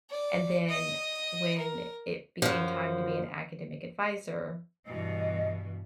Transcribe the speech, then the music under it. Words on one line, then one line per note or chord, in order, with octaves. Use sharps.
And then, when it became time to be an academic adviser,
D5
D#5
A#4
F#2 F3
G2 B2 E3 D#5